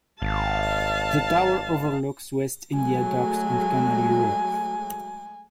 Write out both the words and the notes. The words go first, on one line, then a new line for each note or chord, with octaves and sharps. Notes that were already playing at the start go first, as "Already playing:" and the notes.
The tower overlooks West India Docks and Canary Wharf.
G#1 F5 A5
F#3 G#3 A3 G#5